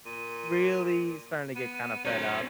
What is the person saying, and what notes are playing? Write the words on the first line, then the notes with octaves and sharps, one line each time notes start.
really starting to get kinda fed up,
A#2 D#7
B3 D#7
F#3 C4 C#5